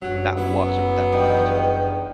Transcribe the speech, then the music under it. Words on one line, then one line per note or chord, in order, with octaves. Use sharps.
that was or what that meant,
F#1 G2 F#3
F#3 B3 E4
E2 G2 D#3